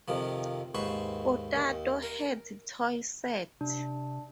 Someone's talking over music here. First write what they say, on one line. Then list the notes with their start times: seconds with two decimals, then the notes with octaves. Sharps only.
Potato Head toy set.
0.08 F2 C3 D#3 F3
0.75 D#2 G#2 B4 C5 C#6
1.56 D#2
2.03 A#4
3.61 C3 D4